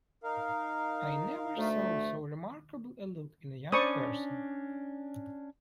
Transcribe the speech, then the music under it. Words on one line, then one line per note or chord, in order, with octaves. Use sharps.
I never saw so remarkable a look in a young person.
D#4 A#4 F5
D2 A3
C#4 D4 C5 D5 B5 C#6 D#6